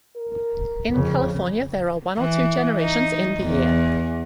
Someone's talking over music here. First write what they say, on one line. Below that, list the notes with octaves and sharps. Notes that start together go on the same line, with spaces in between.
In California there are one or two generations in the year.
A#4
F2 C#3
E3
D#4
E2